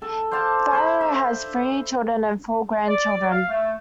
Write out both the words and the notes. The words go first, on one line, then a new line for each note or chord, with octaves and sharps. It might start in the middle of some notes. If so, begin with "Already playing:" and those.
Farrow has three children and four grandchildren.
A4
C5 D5 F5 A5
C5 A5 B5
E5
D5
F5
A3